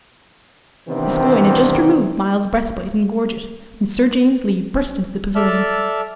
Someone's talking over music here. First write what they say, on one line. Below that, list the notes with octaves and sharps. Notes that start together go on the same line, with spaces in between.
Gascoyne had just removed Myles's breastplate and gorget, when Sir James Lee burst into the pavilion.
C3 D#3 E3 B3 C4 D4
A4 D5 E5 A5 F6